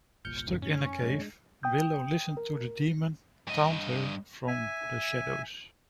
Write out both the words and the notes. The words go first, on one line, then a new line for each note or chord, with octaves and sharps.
Stuck in the cave, Willow listens to the demon taunt her from the shadows.
G1 C2 A#2 F6 G6 C#7
A#1 F2 A2 D3
F#2 A2 D#3 C#4
F2 A2 C3 G#3 D4
G5 D#6 G6
A#4
G2 D#5
E5 G#5